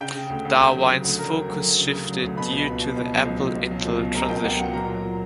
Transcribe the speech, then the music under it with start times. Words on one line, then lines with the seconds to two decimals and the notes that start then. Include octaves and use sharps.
Darwine's focus shifted due to the Apple-Intel transition.
0.01 C#3 G5
0.15 C#3
0.30 D2
0.45 D2
0.59 D2
0.74 F#3
0.89 C#3
1.04 D2
1.18 F#3 A#4 A#5
1.34 F#3
1.48 D2
1.63 F#3
1.79 C#3
1.93 C#3
2.08 F#3
2.23 D2
2.37 B2 B4 B5
2.52 C#2
2.67 B2
2.82 B2
2.96 C#2
3.12 F#3
3.25 C#2
3.41 C#2
3.55 C#2
3.71 F#3
3.85 C#2
3.99 B2
4.14 C#2 A#4 A#5
4.29 C#2 G5
4.44 C#2 F#5
4.59 F#3 F#5
4.73 A#2 A#4 A#5
4.89 F#3
5.04 A#2